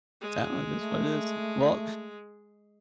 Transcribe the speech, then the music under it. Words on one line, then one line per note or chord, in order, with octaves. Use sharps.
That one this one is well,
G#3
A3